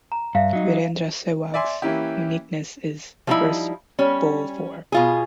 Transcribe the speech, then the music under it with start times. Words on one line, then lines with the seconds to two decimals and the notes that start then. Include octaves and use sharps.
Virendra Sehwag's uniqueness is first bowl four.
0.12 A#5
0.35 G2 E5 F5
0.53 F#3 D#4
1.54 D5 E5 G#5 C6
1.82 E3 A#3 C#4 E4 G4
3.27 F3 G3 A3 A#3 D#4 E4
3.99 G3 C#4
4.92 B2 F4 G#4